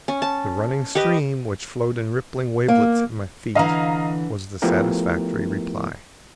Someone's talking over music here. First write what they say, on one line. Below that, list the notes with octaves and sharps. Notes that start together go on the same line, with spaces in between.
The running stream, which flowed in rippling wavelets at my feet, was the satisfactory reply.
C#4
A5
G4 B4 D#5
A#3
D3 E3 D#5 F5 A#5
F3 A3 B3 E4 G4 A#4